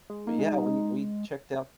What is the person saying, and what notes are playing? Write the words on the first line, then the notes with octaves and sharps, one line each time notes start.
but, yeah, we we checked out
G#3
A#3 D#4
G#3
G3
G#3